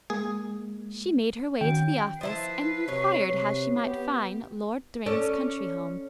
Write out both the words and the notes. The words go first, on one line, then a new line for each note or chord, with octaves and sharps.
She made her way to the office and inquired how she might find Lord Thryng's country home.
G#3 A#3 G#4
D#3 C#4 F#4 G5
F3 E4 B4 A5 C7
C3 F#3 C#5
C3
B3 G4
C#4 A4 D5